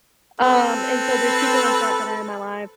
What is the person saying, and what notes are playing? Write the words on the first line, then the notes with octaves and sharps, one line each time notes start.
Um, and so there's people like that that are in my life
C4 A4 B4